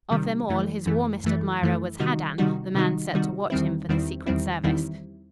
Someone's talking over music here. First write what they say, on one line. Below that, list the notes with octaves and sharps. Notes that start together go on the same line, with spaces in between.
Of them all, his warmest admirer was Haddan, the man set to watch him for the secret service.
C3 D#3 G3
F#2 E3 A3
F#2 E3 A3
F#2 E3 A3
F#2 E3 A3
C3 D#3 G3 D#4 F#4
C3 D#3 G3 D#4 F#4
C3 D#3 G3 D#4 F#4
C3 D#3 G3 D#4 F#4
E2 D#3 G3 C4 E4
E2 D#3 G3 C4 E4
E2 D#3 G3 C4 E4
E2 D#3 G3 C4 E4